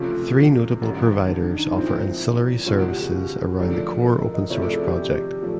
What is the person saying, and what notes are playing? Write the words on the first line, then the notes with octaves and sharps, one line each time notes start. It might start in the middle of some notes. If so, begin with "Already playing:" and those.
Three notable providers offer ancillary services around the core open source project.
Already playing: C#2 C3 F3 A3 C#4 F4
A1 G#2 D#3 F#3
D4
D#4
A#2 F3 G#3 C4 E4
C#2 B2 G#3 C#4 F4
F#4
G4
G#4
G#4
F#2 D3 F3 A3 D4
A#4
D#5
D#5
C3 F3 A3 C#4 E4 D5
A4
G#4
G4
G4
A#2 F3 A3 C#4